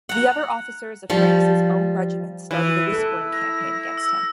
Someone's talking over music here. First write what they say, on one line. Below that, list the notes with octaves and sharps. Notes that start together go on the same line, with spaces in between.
The other officers of Franks's own regiment started a whispering campaign against him.
F#5 A#5
F3 G3
E3
E4 A4 F#6
A#6
E6